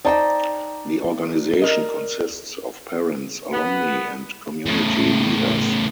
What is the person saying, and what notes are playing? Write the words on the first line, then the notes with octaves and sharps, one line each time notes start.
The organization consists of parents, alumni, and community leaders.
D#4 C5 D5 G5 A5 A#5
A#4 D#5
B3
A2 C#3